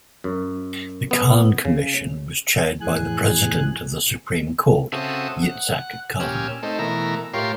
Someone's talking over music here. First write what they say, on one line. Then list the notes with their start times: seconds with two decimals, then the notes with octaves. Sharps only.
The Kahan Commission was chaired by the President of the Supreme Court, Yitzhak Kahan.
0.24 F#2
1.11 B3
1.65 C#3
2.81 F2 A2 E3 G#4 G#5 F#6
4.92 C#3 C4 F#4 A4 E5 D#6
5.42 F#5
6.20 A#2 C#4 G4 G#5 E6 F6
6.63 A3 C4 D#4 A4
6.79 B2 E3 A3 A#4 E5 A#5
7.34 A2 F4 G4 A#4 C#5 C6